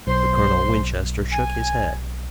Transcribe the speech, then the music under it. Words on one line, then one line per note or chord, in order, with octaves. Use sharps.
But Colonel Winchester shook his head.
B1 C5 C6
G#5